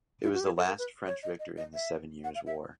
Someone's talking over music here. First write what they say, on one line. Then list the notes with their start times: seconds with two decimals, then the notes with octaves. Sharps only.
It was the last French victory in the Seven Years' War.
0.23 E4
0.34 F#4
0.40 G4
0.46 G#4
0.57 A4
0.67 A#4
0.78 B4
1.07 C#5
1.23 D#5
1.39 D#5
1.57 D#5
1.74 E5
2.24 F#5
2.35 F5
2.47 E5